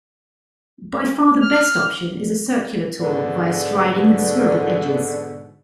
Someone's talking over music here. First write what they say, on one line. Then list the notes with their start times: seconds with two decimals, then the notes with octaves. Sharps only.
By far the best option is a circular tour via Striding and Swirral Edges.
1.41 F6
3.00 G#2 B2 D3